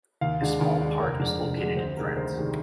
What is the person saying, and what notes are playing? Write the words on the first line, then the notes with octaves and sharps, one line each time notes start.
A small part is located in France.
D#2 F5
D3 G#3 D4
D#2
D3 G#3 D4
F1 A#4
F2 D3 G#3 D4
F1
F2 D3 G#3 D4
D2 C5
C3 D#3 G#3 D4 A#4
D2 C5
C3 D#3 G#3 D4